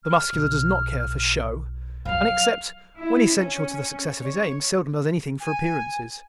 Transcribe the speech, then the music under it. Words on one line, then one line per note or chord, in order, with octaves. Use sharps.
The Muscular does not care for "show" and, except when essential to the success of his aims, seldom does anything for "appearances."
F6
B1
F3 F#3 F5
E4
C#4
C#5
G#5